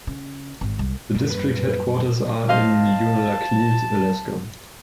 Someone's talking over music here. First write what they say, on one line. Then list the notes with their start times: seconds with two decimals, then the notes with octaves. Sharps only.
The district headquarters are in Unalakleet, Alaska.
0.07 C#3
0.61 G#1
0.79 C2
1.14 F#2 G3 A#3
1.30 B4
2.49 C5 D#5 F5 A5